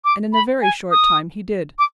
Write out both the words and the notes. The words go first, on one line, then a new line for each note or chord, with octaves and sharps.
And in a very short time he did.
D6
B5
G#5
D#6
D6